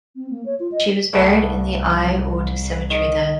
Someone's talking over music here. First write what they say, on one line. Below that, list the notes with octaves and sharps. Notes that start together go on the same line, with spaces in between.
She was buried in the Al Oud cemetery there.
C4
A#3
C#5
F4
D#5
C2 G3 A3 B3
D#3 D#5